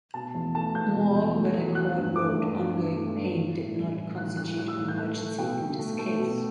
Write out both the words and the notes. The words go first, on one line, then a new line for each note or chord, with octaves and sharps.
Moreover, the Court wrote, ongoing pain did not constitute an emergency in this case.
B2 A5
E2
A3 A5
E2 G6
B2
E2
A3
E2
F#3 F#6
G2
A3 D6
G2
F#3
G2
A3
G2
E3
A2
G3
A2
E3 F#6
A2 F#6
G3 F#6
E6
A2
G6
A3 F#6
A3
B2 G5
B2
A3
A3
B2